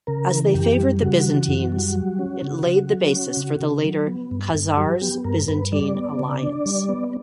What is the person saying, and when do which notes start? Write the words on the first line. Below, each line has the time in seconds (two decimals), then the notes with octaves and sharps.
As they favored the Byzantines, it laid the basis for the later Khazars-Byzantine alliance.
0.07 C#3 A#4
0.30 E3
0.54 F#2 G4
0.78 G3
1.01 C#3 F#4
1.25 E3
1.48 F#2
1.72 G3
1.96 F#3
2.19 C#4
2.42 C#3
2.66 C#3
2.89 F#3
3.13 C#4
3.37 C#3
3.60 C#3
3.84 F#3
4.07 B3
4.31 G2
4.54 G2
4.77 F#3 G4
5.01 B3 G4
5.24 G2 A#4
5.48 G2 B4
5.72 G3 D5
5.95 B3
6.19 C#3
6.43 D4
6.66 G3
6.89 B3